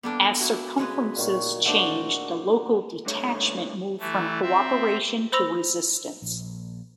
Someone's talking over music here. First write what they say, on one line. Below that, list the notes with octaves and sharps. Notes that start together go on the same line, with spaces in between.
As circumstances changed, the Local Detachment moved from cooperation to resistance.
G3 A#3 B3 D4 A4 D6
E4 F#4
C#3 G#3 B4
A#2 D#3 C#5
A3 D4 F#4 C5 D5 F#5
G2 D3 A3 C#5
E3 A3
C4 E5
C5 B5 C6 E6 A#6 F7
A#1